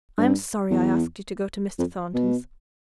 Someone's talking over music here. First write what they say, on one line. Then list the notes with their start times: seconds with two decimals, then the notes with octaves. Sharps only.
'I am sorry I asked you to go to Mr. Thornton's.
0.18 G2
0.71 E2
1.79 F2
2.14 B2